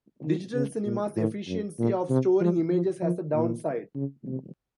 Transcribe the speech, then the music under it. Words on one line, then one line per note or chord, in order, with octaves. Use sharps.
Digital cinemas' efficiency of storing images has a downside.
D#3
C#3
A#2
A2
F#2
A#2
C3
F3
F3
F3
A#2
C#3
C3